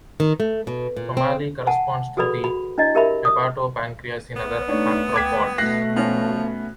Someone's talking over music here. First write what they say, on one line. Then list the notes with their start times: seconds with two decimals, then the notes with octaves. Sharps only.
Tomalley corresponds to the hepatopancreas in other arthropods.
0.20 D#3
0.40 A3
0.67 B2
0.96 A#2
1.17 C4
1.67 F#5 G#5 A5
2.17 F#4 G#4 A4 B4 D5 B5
2.44 F#4 B5
2.78 D4 E4 D5 D#5
2.95 G4 A#4 E5 B5
3.25 D#6
4.36 B3
4.68 A3 D4 D#4 C#5
5.14 G5 D6 G#6 B6
5.58 B2 A3 F#6 A#6 C7
5.96 F3 B3 C#4